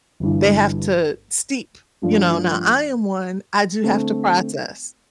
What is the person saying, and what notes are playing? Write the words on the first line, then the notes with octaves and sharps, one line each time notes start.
they have to steep, you know, now I am one, I do have to process,
G1 G2 E3
G2 F3 A3 D4 F4
D3 A3 C4